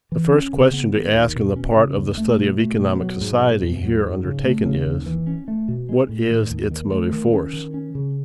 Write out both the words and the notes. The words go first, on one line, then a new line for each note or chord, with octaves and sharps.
The first question to ask in the part of the study of economic society here undertaken is: What is its motive force?
E3
C#4
C#3
B3
D#3
D#2
B2
C#4
C#3
D#2
A3
B2
A3
B2
F#3
G#2
B2
E2
F#3
G#2
C#3
A3
C#3
D#2
E3
C#4
A3
B2
G#3
A2
D#3
D#2
D#3
A3
D#3
C#4
D#3
C#4
C#3